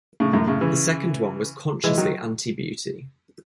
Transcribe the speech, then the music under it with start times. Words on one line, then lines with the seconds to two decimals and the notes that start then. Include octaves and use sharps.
The second one was consciously anti-beauty.
0.20 A2 C#3
0.33 F#2 A2
0.47 A2 C#3
0.61 C#3 E3
1.84 E3 G#3
1.98 D#3 F#3